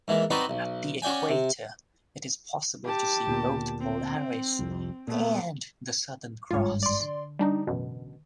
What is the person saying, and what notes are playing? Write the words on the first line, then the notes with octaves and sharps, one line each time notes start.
At the equator, it is possible to see both Polaris and the Southern Cross.
G#2 E3 A#3
C4 D#4 F#4 B4 D5 D#5
B1
C#4 F#4 D5 G5 G#5
C3
G4 A5
D2 A#2 B3
C4
C2 F2
A#2 A3 B3
G#1 G2 F4 C#5
D5 C6
D3
G3 D4 D#4
A1 F#2 B2